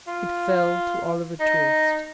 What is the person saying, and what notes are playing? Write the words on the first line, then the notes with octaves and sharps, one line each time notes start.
It fell to Oliver Twist.
F4
D#4